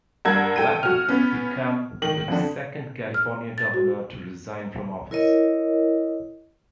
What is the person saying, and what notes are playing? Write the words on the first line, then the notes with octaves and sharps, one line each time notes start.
Latham had become the second California Governor to resign from office.
G2 A#4 F#5 E6 G#6
A4 G5 D#7
F#4 F6
B3 C#4
D#3 F#7
F2 D3
F6
A6
F#4
E4 A#4 C#5 D#5